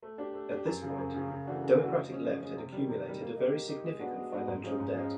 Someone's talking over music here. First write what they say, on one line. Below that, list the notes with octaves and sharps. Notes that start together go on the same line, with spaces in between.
At this point, Democratic Left had accumulated a very significant financial debt.
A3
D4 G4
A3
D4 G4
F#2
C#3 F3
F#2
C#3 F3
C#3
E3 A3 D4 F#4
C#3
E3 A3 D4 F#4
F3
G#3 C#4
F3
G#3 C#4
C3
D#3 G3
C3
D#3 G3
A#3
D#4 G4
A#3
D#4 G4
G#3
B3 D4 F#4
G#3
B3 D4 F#4
G#2
F3 G#3 C#4
G#2
F3 G#3 C#4